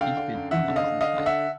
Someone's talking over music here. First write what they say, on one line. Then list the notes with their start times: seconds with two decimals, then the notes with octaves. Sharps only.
Ich bin unermesslich reich.
0.01 D3 F5 G5
0.17 D3
0.34 F#2
0.51 F#2 E5 F#5
0.68 D3
0.76 D#5 F5
0.84 D3
1.01 D3 D#5 F5
1.18 D3
1.26 E5 F#5